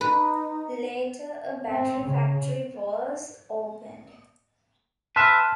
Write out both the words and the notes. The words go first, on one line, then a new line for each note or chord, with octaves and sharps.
Later a battery factory was opened.
D#4 B4
C4
C#3
B4 E5 A5 C6 F6